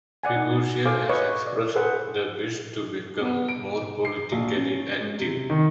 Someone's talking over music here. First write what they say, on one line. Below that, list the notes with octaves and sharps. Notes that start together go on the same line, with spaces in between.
Higuita has expressed the wish to become more politically active.
D5 F#5 G#5
D#4
A4 C5 F5 G#5 D6
B4 C#5 D#5 C#6
D5
G#4 A4 B4 C5 F#5
B3
D7
C7
A#1
C#4
G#3
C3
D#3